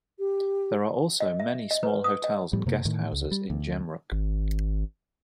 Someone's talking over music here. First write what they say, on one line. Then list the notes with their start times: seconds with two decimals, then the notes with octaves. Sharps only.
There are also many small hotels and guest houses in Jemruk.
0.19 G4
1.20 D#5
1.40 E5
1.71 D#5
1.83 B4
2.04 D#6
2.24 D#5
2.53 A2 G3
2.66 F#2 C3 A#3
2.85 A2 D#3 A3
3.13 C#2
3.31 G3
3.50 D2
4.12 G#1